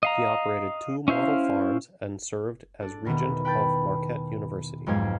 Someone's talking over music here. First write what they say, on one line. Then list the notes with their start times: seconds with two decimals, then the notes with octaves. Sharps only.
He operated two model farms and served as regent of Marquette University.
0.03 D#5 F5 A#5
1.08 C#4 E4 C5 F5
2.81 D4 A4
3.05 E2 B2 D#3 B3
3.45 B4 G5 A5 B5 G6 A6
4.86 B1 F2 G#2 G#3 F5 G#6